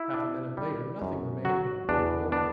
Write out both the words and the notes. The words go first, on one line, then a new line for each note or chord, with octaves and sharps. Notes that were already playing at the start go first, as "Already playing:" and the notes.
Half a minute later nothing remained but a big hole.
Already playing: E4
D4
G3
F#2
F#3 F#4
E2 D4
B3 D4